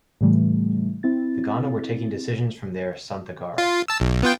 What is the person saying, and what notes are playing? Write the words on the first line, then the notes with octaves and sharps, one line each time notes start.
The Gana were taking decisions from their Santhagara.
A2 C#3 E3 G3 A3
C4 E4 A6
F4
A5 E6
B1
B3 F4 G5